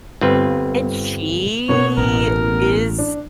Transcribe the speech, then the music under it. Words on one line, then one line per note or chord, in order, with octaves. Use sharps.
and she is
G1 C4 B4
B2 A#3 B3 C#5
A1 A#4
D4